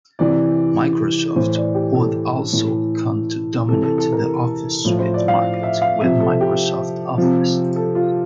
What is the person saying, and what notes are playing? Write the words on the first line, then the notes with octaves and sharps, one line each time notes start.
Microsoft would also come to dominate the office suite market with Microsoft Office.
C3 E3 D5
A2 E3 C5
D5
G4
A4
A2 E3
C3 E3 A4
A4
A4
A#4
A2 F3 E4
C5
D5
F5
E5
F5
C3 F3 E5
A4
G4
C3 F3
A4
F4